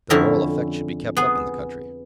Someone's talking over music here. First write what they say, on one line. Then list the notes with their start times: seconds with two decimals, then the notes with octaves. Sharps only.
The moral effect should be kept up in the country.
0.10 F2 D3 C#4 E4 E5 A#5
1.17 B3 G#4